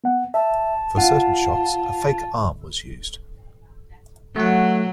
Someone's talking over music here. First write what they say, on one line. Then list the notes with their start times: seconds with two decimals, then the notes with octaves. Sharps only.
For certain shots, a fake arm was used.
0.04 B3 F#5
0.34 E5 A5
0.97 F4 F#5
4.36 F#3 A3 F#5